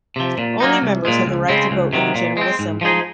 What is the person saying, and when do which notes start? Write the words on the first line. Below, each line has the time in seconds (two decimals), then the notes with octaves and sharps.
Only Members have the right to vote at the General Assembly.
0.16 C3 F3
0.38 A#2
0.60 F#3 A#3 D#4
0.82 C2
1.05 A#2 G#3
1.26 C#2
1.49 C#3 G#3 C4
1.71 C#2
1.93 C3 D#3 F#3
2.15 A#2
2.37 G#3 C4
2.59 G#2
2.81 F3 G#3 D#4 G#4